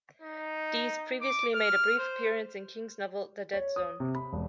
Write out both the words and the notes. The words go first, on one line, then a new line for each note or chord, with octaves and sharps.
Dees previously made a brief appearance in King's novel "The Dead Zone".
D#4
D6
F6
C5
C#5
D#6
C3
B5
E1